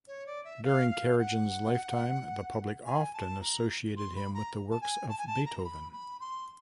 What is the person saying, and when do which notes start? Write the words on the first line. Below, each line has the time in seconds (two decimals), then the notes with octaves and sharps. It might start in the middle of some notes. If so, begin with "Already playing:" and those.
During Karajan's lifetime, the public often associated him with the works of Beethoven.
0.08 C#5
0.27 D5
0.45 E5
0.64 F5
0.91 F5
1.19 F#5
2.85 G#5
3.14 A5
3.41 A#5
3.97 C6
4.16 B5
4.34 A#5
4.71 A5
4.81 G#5
5.09 A5
5.18 G#5
5.27 A5
5.46 A#5
5.60 A#5
5.64 B5
5.92 B5
6.20 C6